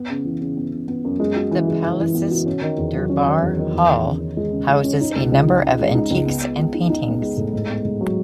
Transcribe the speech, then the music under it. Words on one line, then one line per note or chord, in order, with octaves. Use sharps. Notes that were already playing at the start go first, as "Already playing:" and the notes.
The palace's Durbar Hall houses a number of antiques and paintings.
Already playing: B3
C#3
E3
C#3
B3
C#3
B3
F#2
G#3
F#4
E3
G#3
E3
E3
B3
F#4
C#4
D#3
E2
F#3
C#4
D#3
E2
D#3
E2
E2
C#3
C#4
G#3
C#3
G#3
C#4
D#4
C#2
C#2
D#4
C#3
G#3
D#4
C#2
B3
B3
G#3
D#4
D#4
B3
G#3
A2
G#2
B3
G#2
F#3